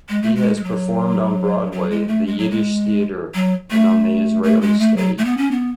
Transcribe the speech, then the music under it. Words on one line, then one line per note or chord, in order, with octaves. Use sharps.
He has performed on Broadway, the Yiddish theater, and on the Israeli stage.
G#3
A3
G#3
G#3
F#3
F#3
G#3
A3
G#3
F#3
G#3
F#3
A3
A3
G#3
A3
F#3
A3
B3
C#4
B3